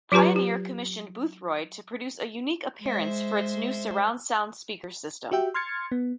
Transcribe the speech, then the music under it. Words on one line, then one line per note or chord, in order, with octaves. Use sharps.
Pioneer commissioned Boothroyd to produce a unique appearance for its new surround-sound speaker system.
F#3 F4 G4 B4 A#5
G4
G#3 C5 E5
F#4 G4 E5 G5
C6 F6 G#6 A6 C#7
B3